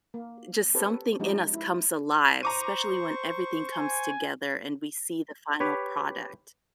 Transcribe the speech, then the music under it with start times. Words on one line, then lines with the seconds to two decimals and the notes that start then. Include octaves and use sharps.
just something in us comes alive, especially when everything comes together and we see the final product.
0.14 A#3
0.74 C4 G4 A4 B4 C#5
1.19 F3 G#3 C#4 D#4 F4 G4
1.54 E4
2.43 C5 A#5 C#6 D6 D#7
3.73 G#5
5.60 G4 B4 C#5